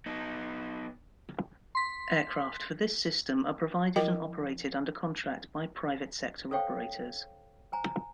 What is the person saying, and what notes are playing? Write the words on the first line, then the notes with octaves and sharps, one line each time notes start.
Aircraft for this system are provided and operated under contract by private sector operators.
B3 D#4
C6 B6
F3 E4 A#4 D#5 G5
A4 C5 C#5 F5 G5
C5 G#5 A#5
A#5